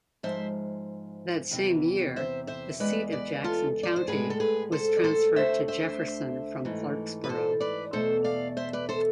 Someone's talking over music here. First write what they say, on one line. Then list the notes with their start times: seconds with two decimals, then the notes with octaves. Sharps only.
That same year, the seat of Jackson County was transferred to Jefferson from Clarkesboro.
0.23 G#2 F3 G#3 C5 E5
1.51 E2 C3 E3
2.16 C5 E5
2.47 C5 E5
2.80 E2 C3 G#3 B4 D5
3.12 B4 D5
3.44 F4 A4
3.83 D5
3.96 C5
4.08 A2 G#3 G#4 B4
4.30 A4
4.40 G#4 B4
4.72 A4 C5
4.97 D5
5.04 A4 C5
5.36 D2 D3 A3 C5 E5
5.68 C5 E5
6.65 G#2 E3 A3
7.24 B4
7.29 A4 C5
7.60 B4 D5
7.93 E2 B2 A3 A4 C5
8.24 D5 F5
8.57 C5 E5
8.73 B4 D5
8.89 A4 C5